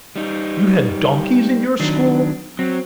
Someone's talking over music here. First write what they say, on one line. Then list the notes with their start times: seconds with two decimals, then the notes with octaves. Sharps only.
You had donkeys in your school?
0.16 G3 D#4
1.80 D#3 F#3 D4
2.59 F#3 C4